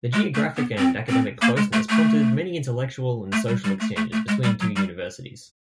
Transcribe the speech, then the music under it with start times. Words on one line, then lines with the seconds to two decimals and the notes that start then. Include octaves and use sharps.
The geographic and academic closeness prompted many intellectual and social exchanges between two universities.
0.13 G#3
0.35 A3
0.57 B3
0.78 C4
1.10 C4
1.42 A#3
1.57 G#3
1.73 A3
1.90 A3
3.32 A3
3.48 G3
3.64 G3
3.80 A3
3.97 A3
4.12 A3
4.28 G#3
4.44 G3
4.60 F#3
4.76 G3